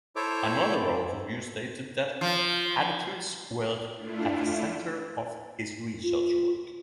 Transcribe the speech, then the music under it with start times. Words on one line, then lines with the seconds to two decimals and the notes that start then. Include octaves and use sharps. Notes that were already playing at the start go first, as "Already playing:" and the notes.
Another overview stated that "attitudes were at the centre of his research work".
0.16 E4 A4 C5 C#5 E5 D6
2.21 F3
3.97 A3 D4 E4 F4
6.03 F4